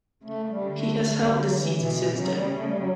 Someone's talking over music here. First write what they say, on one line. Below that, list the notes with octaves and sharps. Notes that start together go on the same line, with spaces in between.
He has held the seat since then.
C#3 A3
G3
D3
A3
A3
G3
F#3
E3
B2 E3
E3
C#3 F#3
G3
A3
G3
F#3